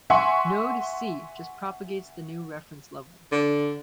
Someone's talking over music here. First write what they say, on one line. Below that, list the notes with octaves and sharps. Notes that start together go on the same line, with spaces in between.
Node C just propagates the new reference level.
E5 F#5 G#5 C6 C#6
D3